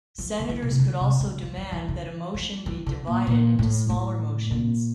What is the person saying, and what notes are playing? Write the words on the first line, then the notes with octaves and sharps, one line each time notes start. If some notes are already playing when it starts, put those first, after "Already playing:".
Senators could also demand that a motion be divided into smaller motions.
F3
D3
E3
A#2
C3
D3
C3
D3
E3
E3
E3
D3
F3
E3
D3
A#2
A#2
A2
A2
A#2